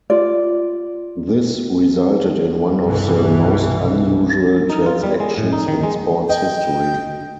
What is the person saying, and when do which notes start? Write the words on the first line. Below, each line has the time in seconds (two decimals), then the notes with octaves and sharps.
This resulted in one of the most unusual transactions in sports history.
0.10 F4 D5
2.83 C2 G2 B2 E3
4.70 D#4
4.86 F4
5.03 G3
5.20 G#3
5.38 A2
5.53 D#4
5.68 D#3
5.83 G#3
6.29 D#5 G5